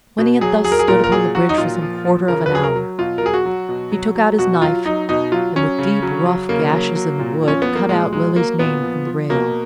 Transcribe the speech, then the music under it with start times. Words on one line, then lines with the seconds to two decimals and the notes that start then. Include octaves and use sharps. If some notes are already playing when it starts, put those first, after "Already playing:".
When he had thus stood upon the bridge for some quarter of an hour, he took out his knife, and, with deep, rough gashes in the wood, cut out Lily's name from the rail.
0.18 B2
0.41 F#3 G#4
0.65 F#3 G#4
0.72 A#4
0.79 G#4
0.88 A#2 A#4
1.04 A#4
1.11 F#3 G#4
1.35 F#3 F#4
1.49 D#4
1.58 A#2 F4
1.82 F3
2.05 F3
2.28 C#3 A#4
2.46 B4
2.51 F#3 G#4
2.63 A#4
2.75 F#3
2.98 B2 F4
3.18 A#4
3.22 F#3 G#4
3.34 F#4
3.45 F#3
3.69 B2
3.92 F#3
4.15 F#3
4.39 B2 F#4
4.62 F#3 F4
4.85 F#3 D#4
5.09 B2 D#4
5.32 F#3 F4
5.56 F#3 C#4
5.79 C#3
6.02 F#3
6.26 F#3
6.49 C#3 A#3
6.72 F#3
6.96 F#3
7.19 A#2
7.42 F3
7.48 C#4
7.62 F3 B3
7.75 A#3
7.89 A#2 G#3
8.12 F#3 G#3
8.36 F#3 A#3
8.59 A#2 B3
8.83 F3
9.06 F3
9.30 B2 A#3